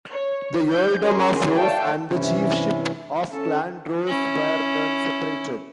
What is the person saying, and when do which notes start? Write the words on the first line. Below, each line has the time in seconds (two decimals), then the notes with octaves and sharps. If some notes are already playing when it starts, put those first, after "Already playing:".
The earldom of Ross and the chiefship of Clan Ross were then separated.
0.11 C#5
0.70 G6
1.00 C#4 F#4 G#4 A#4 C6
1.57 A3 C#5 D5 F5 G5 A5
2.12 G2 C3 E3 C#4 E4
3.32 C#4 A4 A5
4.07 C#4 E4